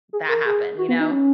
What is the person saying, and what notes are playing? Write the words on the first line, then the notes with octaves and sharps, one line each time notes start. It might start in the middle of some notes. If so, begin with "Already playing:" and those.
that happen, you know?
G#4
A#4
G#4
F#4
B3
D#4
C#4